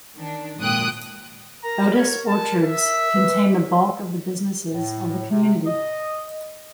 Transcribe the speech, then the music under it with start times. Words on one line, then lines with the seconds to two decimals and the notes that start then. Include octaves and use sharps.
Otis Orchards contains the bulk of the businesses of the community.
0.16 D#3 D4
0.60 G#1 F2 A#2 G5 D#6 F#6
1.64 A#4 A#5
1.97 C#5
2.27 A5
2.64 E5
3.15 B4
4.72 A2
5.29 C3
5.66 D#5